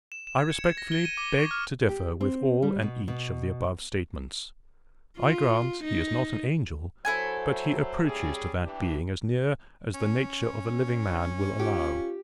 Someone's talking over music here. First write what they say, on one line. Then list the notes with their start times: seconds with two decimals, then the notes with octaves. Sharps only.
I respectfully beg to differ with all and each of the above statements. I grant he is not an angel, but he approaches to that being as near as the nature of a living man will allow.
0.12 E7
0.27 E7
0.39 G#6
0.51 C#7
0.65 G#6
0.78 A#6
0.92 G7
1.05 D#7
1.17 D6
1.39 C#6
1.51 F6
1.89 G4
2.21 C4
2.62 G3
2.82 B2
3.08 B2
5.18 F4
5.84 D#4
7.05 F#3 E4 A4 C5 G#5
8.03 G3 C#4 G#4
8.62 E3 D4 G4
9.94 C#4
11.59 F4 G4